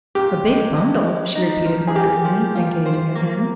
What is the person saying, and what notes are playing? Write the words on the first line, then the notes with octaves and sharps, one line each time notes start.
"A big bundle?" she repeated wonderingly, and gazing at him.
A#2 G4
G#3
G#3
G#3
D#4
F3
G#4
A#3 G4
F3
F4
C5
A#3